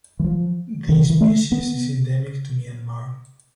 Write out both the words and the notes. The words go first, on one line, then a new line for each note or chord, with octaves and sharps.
The species is endemic to Myanmar.
E3
F3
D#3
D3
E3
A3
B3